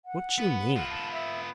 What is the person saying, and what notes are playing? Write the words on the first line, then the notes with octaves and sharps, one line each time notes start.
"What you mean?"
F#5
B3 B4
B3 F4
A5
E5